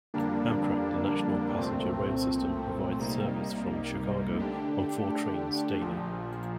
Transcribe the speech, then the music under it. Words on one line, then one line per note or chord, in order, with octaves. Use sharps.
Amtrak, the national passenger rail system, provides service from Chicago on four trains daily.
F2 D3 G3 A#3 D4
C2 A#2 A3 C4
C2 C3 G3 A#3 D#4
D3 A3 D4 G4
A#1 A#2 F3